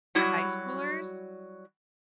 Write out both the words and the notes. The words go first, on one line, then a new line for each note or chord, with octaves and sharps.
for high schoolers
F#3 G3 E4 F#4